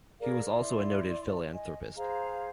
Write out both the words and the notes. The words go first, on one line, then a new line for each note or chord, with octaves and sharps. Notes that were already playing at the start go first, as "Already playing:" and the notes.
He was also a noted philanthropist.
G#4 A#4 D5 F5
E4 D5 C6
D#5 G#5
G#4 C5 F5 A#5